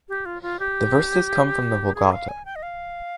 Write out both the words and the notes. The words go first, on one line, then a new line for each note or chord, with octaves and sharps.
The verses come from the Vulgata.
G4
F4
F4
G4
G#4
F5
G#5
G5
D#5
F5